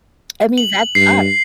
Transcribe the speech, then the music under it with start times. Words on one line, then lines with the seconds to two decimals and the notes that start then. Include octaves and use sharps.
I mean, that's us.
0.58 F#7
0.95 G2 C7